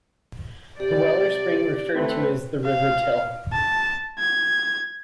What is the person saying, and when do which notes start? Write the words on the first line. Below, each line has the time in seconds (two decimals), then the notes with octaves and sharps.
The well or spring referred to is the River Till.
0.80 C3 G4 D5
1.95 E2 A3 C4 B4
2.65 F5
3.53 A5
4.19 G#6